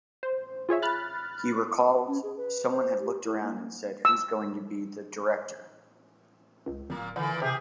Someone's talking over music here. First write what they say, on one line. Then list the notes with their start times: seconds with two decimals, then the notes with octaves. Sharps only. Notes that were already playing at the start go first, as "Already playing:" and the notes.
He recalled: Someone had looked around and said, 'Who's going to be the director?
0.23 C5
0.69 F4 G#4 C#5 E5
0.82 B5 F6 F#6 A6
2.07 C#4
2.23 G#4
2.37 B4
2.70 C5
3.00 G4
3.24 E4
3.42 A#3
4.05 E6
6.66 C#2
6.90 D1 A#2 A#3
7.16 A#2 D3 E3
7.42 C3 G4 G#4